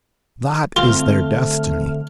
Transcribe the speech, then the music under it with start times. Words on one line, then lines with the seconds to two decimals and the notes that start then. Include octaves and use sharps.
That is their destiny.
0.76 D3 A3 C4 F4 F6